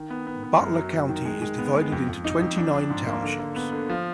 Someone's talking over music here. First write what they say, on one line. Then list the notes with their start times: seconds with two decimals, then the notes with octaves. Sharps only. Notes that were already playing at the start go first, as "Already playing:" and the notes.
Butler County is divided into twenty-nine townships.
Already playing: D#3
0.10 B3
0.27 B3
0.43 B3
0.60 F#2
0.77 F#3
0.93 F#2
1.09 D#3
1.25 G#3
1.42 G#3
1.58 B3
1.75 G#3
1.92 F2
2.08 F2
2.24 D#4
2.41 F2
2.57 D4
2.74 D4
2.90 G#2
3.07 A#3
3.23 D3
3.39 D3
3.56 B3
3.72 D3
3.89 F3